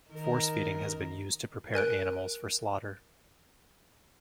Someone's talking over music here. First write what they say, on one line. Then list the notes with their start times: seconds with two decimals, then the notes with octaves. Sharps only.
Force-feeding has been used to prepare animals for slaughter.
0.10 D#3 A#4
1.74 A#4 G#5 F#6 D7